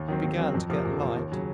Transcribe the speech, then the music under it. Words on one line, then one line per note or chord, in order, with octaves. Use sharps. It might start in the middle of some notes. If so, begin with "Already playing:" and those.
It began to get light.
Already playing: D#2
D#3 F#3 C4
D#2
D#3 F#3 C4
F2
C3 F3 A#3
F2
C3 F3 A#3
D#2
C#3 F#3 C#4